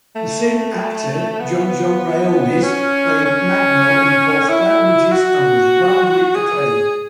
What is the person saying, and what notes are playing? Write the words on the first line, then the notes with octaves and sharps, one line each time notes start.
The same actor, JonJon Briones, played Magno in both languages and was roundly acclaimed.
A3
B3
C#4
C#4
E4
F#4
G#4